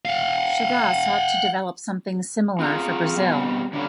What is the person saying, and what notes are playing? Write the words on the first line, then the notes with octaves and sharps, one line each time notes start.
Chagas sought to develop something similar for Brazil.
F5 F#5
C4 F4 G#4 A#5
B2 G3 C4
D3 F#3 G3 C#4 D4